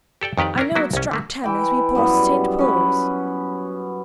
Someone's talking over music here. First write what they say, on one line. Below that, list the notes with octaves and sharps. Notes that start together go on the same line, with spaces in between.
"I know it struck ten as we passed St. Paul's."
G4 A4 D5 G5
F2 D#3 G4 B4 D5
C#4 D4 E4 A#4
F#3 A#3 B3 D4 E4 F#4
C2 C#4
D3 A3 A#3
E3 G5
F#2 G3 B3 E4
C#4 B4